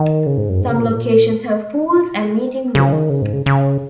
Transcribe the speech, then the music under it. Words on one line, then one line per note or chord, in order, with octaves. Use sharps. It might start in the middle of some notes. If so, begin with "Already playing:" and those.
Some locations have pools and meeting rooms.
Already playing: D#3
C#3
G#2
F#2
G#2
C#3
A#2
G#2
A#2
C#3
D#3
C#3
G#2
C#3
C#3